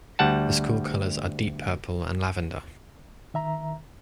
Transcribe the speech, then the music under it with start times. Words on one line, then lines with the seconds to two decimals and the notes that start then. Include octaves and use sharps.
The school colors are deep purple and lavender.
0.19 D2 G3 F#5 A5
3.34 D#3 E5 A#5